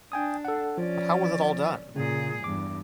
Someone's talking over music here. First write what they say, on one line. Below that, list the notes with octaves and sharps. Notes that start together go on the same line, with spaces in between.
But how was it all done?
D4 G5 G#5 D#6
A4 F#5
F3 C#4 D5
A#2 C#3 G#4
E2 G2 D6